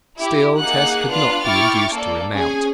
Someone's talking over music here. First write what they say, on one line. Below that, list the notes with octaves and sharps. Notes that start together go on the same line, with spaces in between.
Still Tess could not be induced to remount.
E4 G4
A#3 D#4 G#4 F#5 F#6
B3 D4 F4 F5 F#6
E4 G5 C#6 D6 F6 A6
A#3 A4 D5
C#4 G#4 G#5